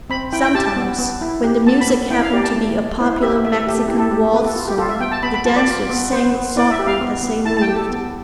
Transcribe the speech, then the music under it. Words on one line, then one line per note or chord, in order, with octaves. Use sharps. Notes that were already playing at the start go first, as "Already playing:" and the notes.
Sometimes, when the music happened to be a popular Mexican waltz song, the dancers sang it softly as they moved.
C4 B5
E4 G5
G5
G4 A5
A5
B3
B3
E4
G4
B3 A5
B5
B3
E4 G5
F5
G4 D5
A5
A3
A3
E4 C5
G4 E5
A3 E5
E5
A3 G4
A4
E4 G4
A4
G4
B3 B4
A4
F4
G4
F4 A4
E5
B3 G5
A5
B3 B5
B5
F4 A5
D5
F4
B3
B3 C5
B3
E4 D5
E5
G4
F5
B3
B3
E4 A5
A5
G5
G4
A4
B3